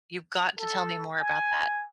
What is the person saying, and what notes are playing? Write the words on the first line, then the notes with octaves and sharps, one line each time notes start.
You've got to tell me more about that.
A4
G#5